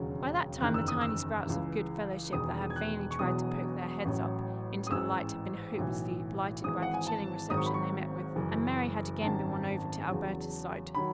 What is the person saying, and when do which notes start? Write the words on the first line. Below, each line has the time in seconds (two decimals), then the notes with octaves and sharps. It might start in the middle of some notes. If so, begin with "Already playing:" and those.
By that time the tiny sprouts of good fellowship that had vainly tried to poke their heads up into the light had been hopelessly blighted by the chilling reception they met with, and Mary had again been won over to Alberta's side.
Already playing: E1 D#2 C#3 F#3
0.61 F#1 E2 D#3 F#6
0.74 E6
0.88 D#6
1.01 E6
1.47 C#2 C#3 E3
2.33 E1 E2 D#3 D#6
2.70 G#6
2.76 F#6
3.11 C#6
3.19 E1 E2 B2 F#3 D#6
4.05 A1 A2 F#3
4.87 D#6
4.91 A1 G#2 E3 E6
5.78 B1 A2 E3
6.64 G#1 G#2 E3 D#6
6.82 F#5
6.94 G#5
7.07 A5
7.50 G#1 G#2 D#3 F#3 D#6
7.57 C#6
7.66 B5
7.74 C#6
8.36 F#1 F#2 E3
9.22 G#1 F#2 D#3 A5
10.08 E2 C#3 F#3
10.95 D#3 F#3 B5